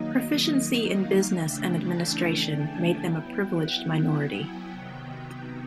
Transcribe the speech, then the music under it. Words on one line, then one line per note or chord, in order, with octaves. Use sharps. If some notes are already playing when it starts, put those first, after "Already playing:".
Proficiency in business and administration made them a privileged minority.
Already playing: D#3 F#3 A#3 D#4 D#5
F5
C#3 E3 A3 D4 G5
A5
A5
G#5
F#3 B3 E4 G5
F#5
G5
G#5
C3 D#3 F#3 B3 G5